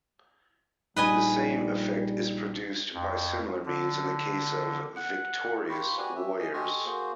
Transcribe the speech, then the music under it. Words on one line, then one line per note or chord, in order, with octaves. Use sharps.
The same effect is produced by similar means in the case of victorious warriors.
A#1 G3 D#4 B4 D#5 G#5
F2
D3
F#5
F4 G4 C5 B5 C#6
F#4 G4 B4 D5 G#5
C#4 G4 E5
D#5 G#5
G4 A4 D#5 G#5 C6 C#6
A#3 F#4 G#4 C5